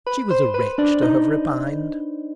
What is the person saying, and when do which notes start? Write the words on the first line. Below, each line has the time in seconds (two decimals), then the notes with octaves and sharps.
She was a wretch to have repined.
0.07 B4 B5
0.30 C5 C6
0.54 B4 B5
0.78 D4 D5
1.02 D#4 D#5